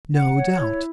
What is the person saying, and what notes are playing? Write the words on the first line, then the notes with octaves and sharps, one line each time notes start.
No doubt.
F#5
C#5
E4